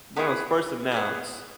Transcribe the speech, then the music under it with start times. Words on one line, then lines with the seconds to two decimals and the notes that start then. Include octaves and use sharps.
when it was first announced
0.16 B3 E4 G#4
0.92 E4 G#4
0.96 B3